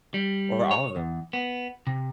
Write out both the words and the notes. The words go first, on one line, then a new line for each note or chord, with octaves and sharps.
Or all of them?
G3
C#5
E2
B3
C3